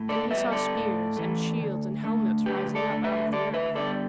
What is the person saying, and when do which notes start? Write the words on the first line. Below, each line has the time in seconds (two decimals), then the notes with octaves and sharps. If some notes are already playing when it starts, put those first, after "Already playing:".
Then he saw spears and shields and helmets rising up out of the earth.
Already playing: A2
0.09 A4 D5
0.30 G3 B3 B4 E5
0.52 A4 D5
0.74 A2
1.17 E3 A3
1.60 D2
2.04 D3 A3
2.46 D2 G4 B4
2.75 A4 D5
2.90 D3 A3
3.04 B4 E5
3.32 D2 A4 D5
3.54 B4 E5
3.75 D3 G3 B3 A4 D5